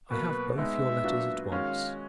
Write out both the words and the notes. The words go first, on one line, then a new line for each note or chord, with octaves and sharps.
I have both your letters at once.
B2 F#3 A#3 B4
G#3 B3 D#4 E5
A#2 F#3 B3 D4 F#4
D#3 G#3 C#4 F#4 F5